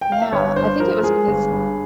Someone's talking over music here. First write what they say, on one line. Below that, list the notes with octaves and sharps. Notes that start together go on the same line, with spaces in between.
Yeah, I think it was because, eh
G5
F5
E5
G1 C#5
G2 C5
F3 A#4
G#3 G#4
G1
G2